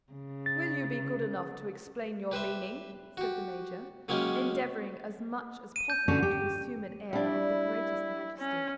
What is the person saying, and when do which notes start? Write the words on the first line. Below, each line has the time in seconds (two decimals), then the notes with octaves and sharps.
"Will you be good enough to explain your meaning?" said the major, endeavoring as much as possible to assume an air of the greatest majesty.
0.12 C#3
0.46 A6
2.32 G4 B4 C5 E5
3.17 F#4 G4
4.08 C#3 F#3 G#3 A#3 C#4 G4
5.76 D#7
5.90 G6
6.08 D3 C#4 F#4
6.23 G4
7.13 G3 D4 E4
8.38 C#4